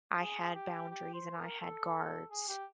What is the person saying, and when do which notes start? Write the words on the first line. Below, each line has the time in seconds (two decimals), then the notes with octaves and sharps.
I had boundaries and I had guards,
0.19 G#4
0.55 G4
0.90 G4
1.13 C5
1.37 A#4
1.61 A4
2.30 G#4
2.48 G4